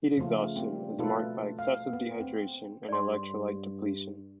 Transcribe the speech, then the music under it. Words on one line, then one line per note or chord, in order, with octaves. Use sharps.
Heat exhaustion is marked by excessive dehydration and electrolyte depletion.
C#3 F3 A3 F4
G3 A#3 C4
B2 A3 A#3 F4 A4 B4
F5
B3
C4
G2 D5 C6